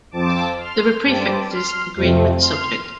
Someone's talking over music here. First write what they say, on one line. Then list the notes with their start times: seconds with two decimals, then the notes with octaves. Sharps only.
There are prefixes agreeing with the subject.
0.11 F2 F3 C4 A5 D6
0.58 C6 F6
1.03 G2 G3 C4 A5 D6
1.50 C6 F6
1.95 F2 C3 F3 A3 C4
2.41 C6 F6